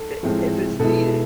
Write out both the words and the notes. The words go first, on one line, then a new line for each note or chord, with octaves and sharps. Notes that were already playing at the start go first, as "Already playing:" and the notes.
er, if it's needed.
Already playing: A4
A2 F3 G#3 C4
B2 G#3 B3 E4 A4